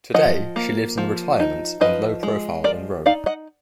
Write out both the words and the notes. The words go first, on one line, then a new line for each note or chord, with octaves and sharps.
Today she lives in retirement and low profile in Rome.
F3 D#5 F#5
A#3
F3
D#4
F3 B4 D#5
G#3
F3 A#4 D5
D#4 D5 F5
D#5 F#5